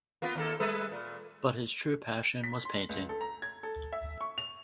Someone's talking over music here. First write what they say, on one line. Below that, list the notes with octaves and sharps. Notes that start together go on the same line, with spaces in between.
But his true passion was painting.
A#3 B3 F4
D#2 A#3 A4
G3 A4 B4
A#2
B6
C6
C#2
A4
A#5
G#6
A4
E5
C#6
F7